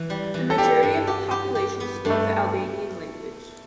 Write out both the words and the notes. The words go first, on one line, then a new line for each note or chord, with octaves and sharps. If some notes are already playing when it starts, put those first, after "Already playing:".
The majority of the population spoke the Albanian language.
Already playing: E3
G3
E3
A4
G3 G4
G2
G4
G4
G4
B3
G2
A3